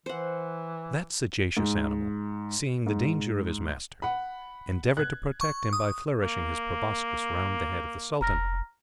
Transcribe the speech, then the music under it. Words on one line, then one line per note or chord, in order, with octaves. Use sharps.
That sagacious animal, seeing the danger of his master, endeavoured to protect him by flourishing his proboscis round the head of the Sultan.
E3 C5 F#5
G#2
G#2
F#5 B5
F#6 G#6
C#6
D#6
A#3
F1 A#5 F6 A#6